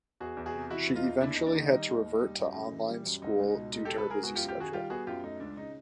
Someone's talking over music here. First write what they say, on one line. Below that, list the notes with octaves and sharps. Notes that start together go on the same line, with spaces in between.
She eventually had to revert to online school due to her busy schedule.
E2 F#4 G#4
E2
F#4 G#4
C3
E3 E4 F#4
E2
D#4 F4
E2
D#2 D4 E4
D#4
D#2
D4
D#3 D#4
G3 D#4
D#2
D#2
G3
F#2
C#3
E3
G3
F#2
C#2 D#4
C#2
D#4
B2
G#3 D#4
G4 A4
C#2
A4 B4
C#2 G#4 A#4
B3 F#4 G#4
F4 G4
F#2
F4 G4
D#3 F#4 G#4
G3 F4 G4
B3 F#4 G#4
F#2 F4 G4
A3 D#4
C#2 D4
C#3 D#4